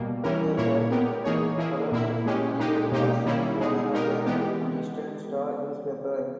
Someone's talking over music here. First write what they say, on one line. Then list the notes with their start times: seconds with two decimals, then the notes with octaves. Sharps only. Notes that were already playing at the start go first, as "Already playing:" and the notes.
At that time Colonel Ayers was owner of the Anniston Star newspaper.
Already playing: B2 G3 A#3
0.24 E3 G3 C#4 E4 A#4
0.57 A#2 A#3 E4 A#4 C#5
0.91 G#3 B3 G4 A#4
1.24 E3 A#3 D#4 G#4 C#5
1.57 E3 A#3 E4 G#4
1.92 A#2 A#3 E4
2.25 A#2 G#3 C#4 G4
2.58 A#2 G#3 D#4 G4
2.92 B2 A#3 D#4 G4
3.25 D#3 G3 A#3 C#4 E4
3.59 B2 G#3 D#4 G#4
3.92 B2 G#3 D#4 G4 A#4
4.26 E3 G#3 B3 G4